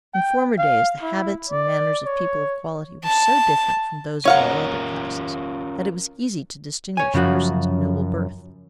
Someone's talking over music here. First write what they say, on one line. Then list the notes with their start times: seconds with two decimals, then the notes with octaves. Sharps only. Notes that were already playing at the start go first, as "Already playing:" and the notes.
In former days the habits and manners of people of quality were so different from those of all other classes that it was easy to distinguish persons of noble birth.
0.14 G5
0.58 F5
1.02 E4
1.49 D5
2.06 C#5
3.04 A5
4.25 C#4 F4 A#4 C#5 F5 F#5
6.97 C#5 G#5
7.14 F#2 C#3 F3 F#4